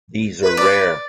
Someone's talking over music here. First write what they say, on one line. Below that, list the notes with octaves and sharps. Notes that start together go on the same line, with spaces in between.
These are rare.
B4
D5